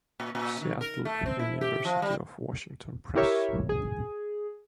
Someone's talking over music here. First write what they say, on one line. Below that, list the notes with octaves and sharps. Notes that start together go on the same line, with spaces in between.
Seattle: University of Washington Press.
A#2
A#2
D#3
A#4
A3
C4
E4
G4
F3
G3
E4 G4 A#4 C#5 E5
G#4